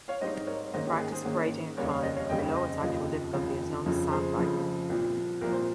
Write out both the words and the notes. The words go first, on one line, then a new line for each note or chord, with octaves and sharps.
The practice of rating a climb below its actual difficulty is known as sandbagging.
C#5 F5
G#2 G3 C4 D#4 C5 D#5
A#4 C#5
G#2 D#3 A#3 C#4 C5 D#5
G4
G#4
G#4 C5
G#2 D#3 A#3 C#4
F1 D#2 C#3 G3 A#4 C#5
C#5 F5
C5 D#5
C#5 F5
F1 D#2 C#3 G3 D#5 G5
C5 D#5
F1 D#2 C#3 F3
F1 D#2 C#3 F3
F1 F2 C#3 F3
G#4 C5
F1 F2 C#3 F3
C2 A#2 F3
C2 A#2 F3 A#4
C5